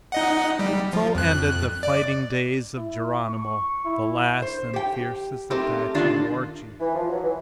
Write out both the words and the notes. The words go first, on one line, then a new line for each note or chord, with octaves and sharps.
So ended the fighting days of Geronimo, the last and fiercest Apache war chief.
D#4 D#5 F#5
G3
F3
F2 F#6
D5
E4
C#6
E4
C5
G4 G5
A3 C4 D#4 G4 A#4
A#2 D3 D#3 A#3 D4 F4
E3
F3
F#3
E3